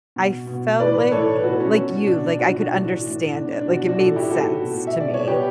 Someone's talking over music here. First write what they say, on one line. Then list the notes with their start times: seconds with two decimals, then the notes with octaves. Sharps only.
I felt like like you, like, I could understand it, like, it made sense to me,
0.16 B2
0.47 B2
0.79 A2 E3 B4 D5
1.11 A2 E3 A4 C#5
1.37 B4
1.44 B2 F#4 A4
1.60 C#4
1.75 B2
2.07 B2 D4
2.39 B2 D4 F#4
2.55 D4 F#4
2.71 A2 E3
3.03 A2
3.08 E3
3.36 B2 D4
3.52 D4
3.68 B2 D4 F#4
3.88 D4 F#4
3.99 A2 E3 F#4 A4
4.16 E4 G4
4.31 A2 E3 F#4 A4
4.64 B2
4.87 E5
4.96 B2 D5
5.14 C#5
5.27 B2 G4 B4